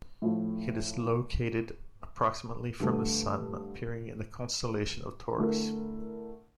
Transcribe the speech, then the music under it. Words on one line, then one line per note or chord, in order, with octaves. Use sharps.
It is located approximately from the Sun, appearing in the constellation of Taurus.
A2 F3 A3
G2 D3 A3
D3 A3 E4 A#4